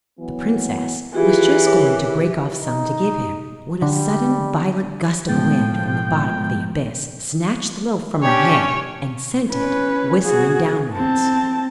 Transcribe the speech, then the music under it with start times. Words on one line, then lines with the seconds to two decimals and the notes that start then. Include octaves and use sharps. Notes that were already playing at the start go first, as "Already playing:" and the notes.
The princess was just going to break off some to give him, when a sudden violent gust of wind from the bottom of the abyss snatched the loaf from her hand, and sent it whistling downwards.
0.19 E3 F#3 B3
1.15 E3 F4 G4 G#4
1.66 D#2 G4 G#4 A#4 C#5
2.59 D#4
3.82 D3 G3
5.29 A2 F3 G#3 B3 G5 A6
8.23 C#4 D4 G4 C#5
9.49 C#4 B4
10.23 F#4 G#4
10.94 C4 A5